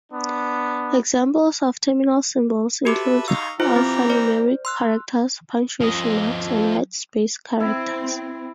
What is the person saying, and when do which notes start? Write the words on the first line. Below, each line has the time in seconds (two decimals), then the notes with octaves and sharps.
Examples of terminal symbols include alphanumeric characters, punctuation marks, and whitespace characters.
0.12 B3 D4
2.85 F#4 G4 A4 B4 E5 D6
3.28 D#4 F5 C#6 E6
3.60 E3 F4 G4 C5 A#5
3.76 C4
4.10 C5 D5
4.65 C6 E6 F#6
5.81 F3 D#5
7.60 C4 E4